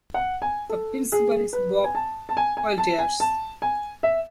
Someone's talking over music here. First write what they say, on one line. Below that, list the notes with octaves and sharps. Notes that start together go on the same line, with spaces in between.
The principal is Bob Walters.
F#5
G#5
A4
G#4
B4
G#5
A5
A5
G#5
G#5
A5
G#5
A5
G#5
E5